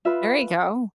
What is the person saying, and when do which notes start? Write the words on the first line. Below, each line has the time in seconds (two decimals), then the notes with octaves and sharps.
There you go.
0.05 F4 B4 E5 B5